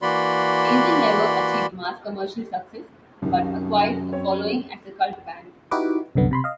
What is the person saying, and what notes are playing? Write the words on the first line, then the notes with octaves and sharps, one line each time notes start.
Angel never achieved mass commercial success but acquired a following as a cult band.
E3 A#3 F#4 D5 B5 C6
C2 F#2 D#3
C4 C#4 C#5
D#4 E4 F#4 G4 B4 D6
C2 F#2 D3 B3
C3 B5 C6
D#5 F5